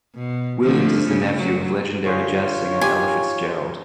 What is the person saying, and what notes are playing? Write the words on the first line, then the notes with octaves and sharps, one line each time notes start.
Williams is the nephew of legendary jazz singer Ella Fitzgerald.
B2
D3 F3 A3
C#3
F#3
D3 F4 G#4 C5 C#5
D#4 G4 B4 G#5